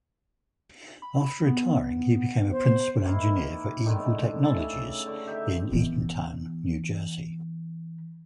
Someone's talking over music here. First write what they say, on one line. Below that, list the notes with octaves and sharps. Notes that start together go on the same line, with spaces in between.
After retiring he became a principal engineer for Eagle Technologies, in Eatontown, New Jersey.
B5
B3
C5
D#3 A#3 E4
A2 D3 D#3 G#3
C#3 A4 D5 E5
D3 C#6
D#4 G4 E5
E3 B3